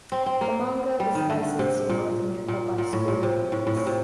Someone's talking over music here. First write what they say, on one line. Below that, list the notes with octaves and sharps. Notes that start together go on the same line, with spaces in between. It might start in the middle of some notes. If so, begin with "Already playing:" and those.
The manga is licensed in North America by Square Enix.
C4
C4
A#3
G3
D#3
D3
C3
A#2
A#2
A#2
A2
A#2
C3
A2
A2
A#2
C3